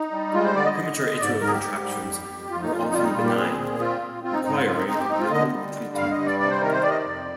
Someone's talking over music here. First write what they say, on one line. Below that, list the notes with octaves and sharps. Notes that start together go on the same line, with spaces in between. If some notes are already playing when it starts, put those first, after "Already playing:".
Premature atrial contractions are often benign, requiring no treatment.
Already playing: D#4
G3
G#3 F4
C5
D3 D5
D#5
D3
D3
G#2 D5
G#2 A#4
G#4
G4
G#2
G3
F2
F2
F2 F4
D#4
F2 F4
D#4
G3 F4
D#4
A#2 F4
G4
C4 G#4
A#2
C4 F4
C4
C4 F4
D#4
G#2 D#4
F4
C4 F4
D#4
C4 D#4
G4
C4 D#4
F4
D3 D#5
G3
D3
G2 F5
D#5
G3
D5
C3 D5
C5
D#3 A#4
C5
C3 D5
D#5
D5
F2